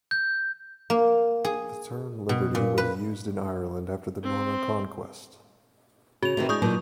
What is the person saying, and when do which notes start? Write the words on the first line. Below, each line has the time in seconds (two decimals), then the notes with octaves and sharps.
The term "liberty" was used in Ireland after the Norman conquest.
0.11 G6
0.90 A#3
1.45 G#4
2.29 B2
2.55 A#2
2.78 B4
4.23 C4
6.23 C#3 F#4 F7
6.37 C3 D#3 E3
6.49 G#3 D4 C#6 D#6 G6
6.62 A#2 D#3 F#3